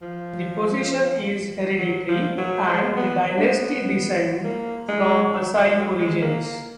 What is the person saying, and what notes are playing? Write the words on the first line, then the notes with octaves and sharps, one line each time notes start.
The position is hereditary, and the dynasty descend from Maasai origins.
F3
F#3
F3
F#3
G#3
B3
B3
D4
B3
A#3
G#3
F#3
F#3
F#3
G#3
A#3
A#3